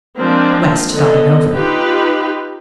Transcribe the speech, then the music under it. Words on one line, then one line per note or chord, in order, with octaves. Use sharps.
West thought it over.
F3 G#3 A#3 C4 D4
D3 B3 D#5
D#4 F4 G4 B4